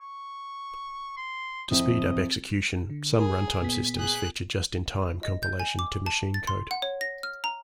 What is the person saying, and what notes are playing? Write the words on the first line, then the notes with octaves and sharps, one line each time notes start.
To speed up execution, some runtime systems feature just-in-time compilation to machine code.
C#6
C6
F2 C4 E4 D#5
D3
G#4 A#4
A#2 B3 B6
G#4 F#6
D#5
G6
G#5
D6
A5
A6
C6
F#5
C#5
A#6
F6
A#5